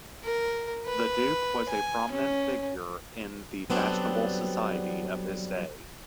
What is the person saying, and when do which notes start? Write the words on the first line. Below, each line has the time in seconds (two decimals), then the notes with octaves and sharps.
The Duke was a prominent figure in the fashionable society of his day.
0.24 A#4
0.86 B4
1.69 G#5
2.11 C#4
3.70 F#3 G3 B3 C4 D4 A4